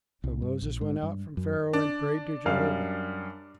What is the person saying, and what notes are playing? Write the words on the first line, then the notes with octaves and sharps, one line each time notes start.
So Moses went out from Pharaoh and prayed to Jehovah.
C2
G2
A#1
G#2
G2
F#2
D4
F#2 G3 F5